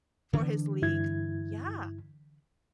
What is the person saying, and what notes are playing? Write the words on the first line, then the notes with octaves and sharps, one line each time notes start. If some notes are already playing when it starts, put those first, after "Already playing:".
for his league. Yeah.
D3 E3 D4
G2 E4 G#6